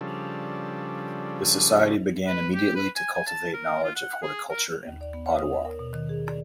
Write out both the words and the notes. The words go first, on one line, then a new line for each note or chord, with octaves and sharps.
The Society began immediately to cultivate knowledge of horticulture in Ottawa.
C#3 F3 G3 D4 A4
B4
G4
B4
G#5
G#5
A5
A#4
F4
F#5
G#4
A#4
D#2
D5
B3
C#5
D#6
A#4
B2
D#3
G#4
D5